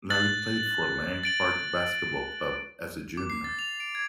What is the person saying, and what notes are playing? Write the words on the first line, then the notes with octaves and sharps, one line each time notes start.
Larry played for Lang Park Basketball club as a junior.
F#6 A6 F#7
A6 D7 F#7
D6
C7
A6
F7
D7
G#6